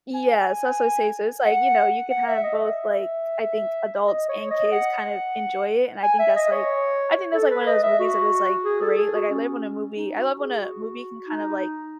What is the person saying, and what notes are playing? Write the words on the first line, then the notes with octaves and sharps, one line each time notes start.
Yeah, so so say so it's like, you know, you can have both like, I think adults and kids kind of enjoy it, and I think that's like I think that's like one of those movies that is like great, like, I live when a movie I love when a movie can kind of like
G#5
F#5
F#5
E5
D#5
E5
D#5
C#5
D#5
F#5
G#5
E5
D#5
C#5
A4
B4
D#5
E5
F#4
G#4
A4
G#4
F#4
C#4
D#4
F#4
G#4
F#4
D#4